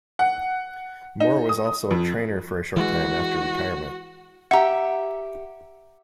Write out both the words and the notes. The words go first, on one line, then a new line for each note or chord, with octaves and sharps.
Moore was also a trainer for a short time after retirement.
F#5
D#4
D#6
F2
E3 G#3 F#4
G4 E5 F#5 A#5